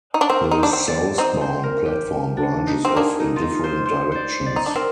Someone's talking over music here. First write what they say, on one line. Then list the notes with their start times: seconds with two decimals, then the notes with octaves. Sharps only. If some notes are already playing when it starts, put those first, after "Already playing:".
The southbound platform branches off in different directions.
0.14 D#4
0.21 D4
0.29 C4 A#4
0.51 D#4
0.59 D4 C5
0.73 C4
0.88 D5
1.18 C4 D#4 C5
1.41 C5
1.64 A#4
1.85 G4
2.37 D4
2.67 D#4
2.85 C4 A#4
2.96 A#3 D4 G#4
3.20 D#4
3.36 F4
3.42 D#4
3.64 C5
3.86 C5
4.12 C5 D5
4.46 D5
4.56 D#4
4.66 D4
4.75 C4 A#4